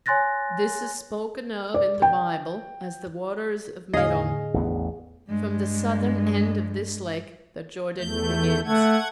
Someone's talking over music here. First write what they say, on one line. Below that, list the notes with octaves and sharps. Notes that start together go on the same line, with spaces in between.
This is spoken of in the Bible as "the waters of Merom." From the southern end of this lake the Jordan begins.
C#5 G#5 C6 F#6 A6 A#6
D5
G5
E2 A2 D3 G#4 D#5 F5
A1 E2 B3
G2 G#3
E2 A3 G6
A3 F#5 G#6